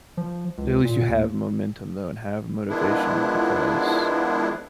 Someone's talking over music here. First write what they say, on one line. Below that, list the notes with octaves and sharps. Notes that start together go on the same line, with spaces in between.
at least you have momentum though and have motivation because,
F3
C#2
A#2
D#2
D#3 F3 G#3 B3 D4 E4